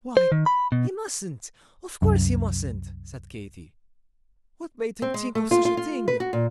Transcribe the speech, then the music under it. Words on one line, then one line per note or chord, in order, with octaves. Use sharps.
"Why, he mustn't--of course he mustn't!" said Katy; "what made him think of such a thing?"
C5
D#3
B5
B2
C2 F#2
C4
G#3
A3
F4
F4
F4
B4
F#4
A#2